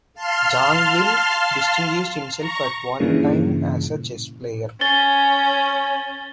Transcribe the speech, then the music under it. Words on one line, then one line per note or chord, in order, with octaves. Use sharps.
Zangwill distinguished himself at one time as a chess player.
F5 A5 C6 F6
A#5 C#6
G2 A#2 C#3 E3
C#4 A6 G7